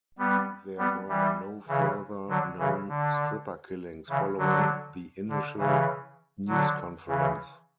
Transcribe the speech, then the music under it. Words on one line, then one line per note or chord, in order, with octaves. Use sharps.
There were no further known Stripper killings following the initial news conference.
G3 B3
G3 B3
E3 G3
C#3 E3
D3 F#3
C#3 E3
D3
C#3 E3
D3 F#3
D3
C#3 E3
D3 F#3
C#3 E3